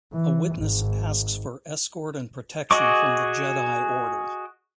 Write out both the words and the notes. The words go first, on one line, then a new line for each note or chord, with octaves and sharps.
A witness asks for escort and protection from the Jedi Order.
E3
G#1
F#4 G#4 D#5 C#6 D6